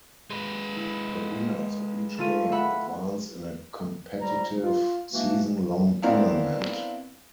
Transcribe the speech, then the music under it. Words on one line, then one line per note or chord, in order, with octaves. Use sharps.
The winners of each game advance in a competitive, season-long tournament.
G#3 B4
E4
A3 F4 D#7
E5 F#5 B5
F2 G3 A#5
F4
E3 G#3 A#3 D4 F#4
B3 C4 D4 E4 A#4 F5